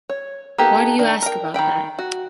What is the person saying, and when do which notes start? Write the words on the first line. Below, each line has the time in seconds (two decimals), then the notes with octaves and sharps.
Why do you ask about that?
0.10 C#5
0.58 A#3 B3 D#4 G4 A4
0.99 D#3 D4
1.22 A#4 G5
1.54 D#3 E3 G5 B5
1.99 F#4